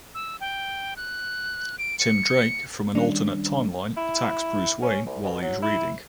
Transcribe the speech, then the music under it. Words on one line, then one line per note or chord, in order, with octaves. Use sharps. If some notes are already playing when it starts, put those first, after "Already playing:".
Tim Drake from an alternate timeline attacks Bruce Wayne while he is reading.
E6
G5
F#6
D7
C#7
D#3 G3 C#4 D4
E4
C#4
C2
B2
F#3
E4